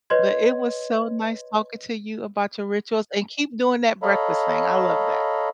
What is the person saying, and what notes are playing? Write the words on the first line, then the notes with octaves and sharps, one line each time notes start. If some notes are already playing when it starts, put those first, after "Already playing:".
But it was so nice talking to you about your rituals, and keep doing that breakfast thing, I love that.
B4 C#5 D#5 C6 G#6
A4 C#5 D#5 F5 A#5 B5